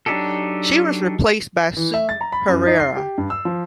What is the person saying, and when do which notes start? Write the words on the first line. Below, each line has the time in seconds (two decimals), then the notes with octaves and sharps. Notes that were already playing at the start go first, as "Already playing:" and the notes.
She was replaced by Sue Herera.
0.06 F#3 D4 D#4 G4 A4
1.77 E3
1.94 E5
2.09 A6
2.21 A#5
2.32 B5
2.48 F#2
2.67 D#4
2.80 C7
2.96 G4
3.18 G2
3.30 E6
3.45 F3